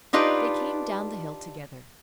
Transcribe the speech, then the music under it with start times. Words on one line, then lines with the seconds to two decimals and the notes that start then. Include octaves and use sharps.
They came down the hill together.
0.13 D4 D#4 F4 G4 B4